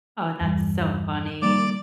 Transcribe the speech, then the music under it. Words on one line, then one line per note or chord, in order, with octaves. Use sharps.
Oh, that's so funny.
E2 G2
F3 G3 A#3 D5 D6